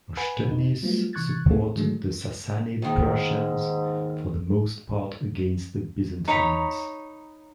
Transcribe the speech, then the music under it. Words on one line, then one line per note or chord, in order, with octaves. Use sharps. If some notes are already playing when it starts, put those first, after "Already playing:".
Rshtunis support the Sassanid Persians for the most part against the Byzantines.
B4 F#5 G#5 B5
F2 D#4
F#3 G3 A3 B3 C4 F4
C3 E3 C#6 F#6 G#6 A6
A3 B3 C4 G#4 A4
G#2 D3 D#3 F#3 G#3 A3
D#2 G#2 D#3
D#4 C#5 A#5 B5